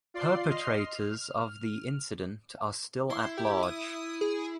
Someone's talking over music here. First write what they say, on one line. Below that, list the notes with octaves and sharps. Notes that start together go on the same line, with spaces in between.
Perpetrators of the incident are still at large.
F4 D5 C6 C7
D#5 C6 F6 C7
F6
E4 C6
G4
D#6
G#4